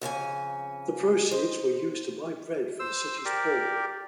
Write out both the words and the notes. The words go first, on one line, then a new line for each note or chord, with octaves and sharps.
The proceeds were used to buy bread for the city's poor.
F2 C#3 C#4 G#5
C5 D#5
C5 E6
G4 A#4 D5